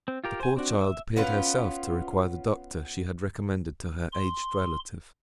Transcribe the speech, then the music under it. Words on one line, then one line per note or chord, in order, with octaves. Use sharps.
The poor child appeared herself to require the doctor she had recommended to her aged relative.
C4
F4 G4 A#4
C5 G#5
C4 D4 F#4
E5
B3 C#4 F4 B4
C6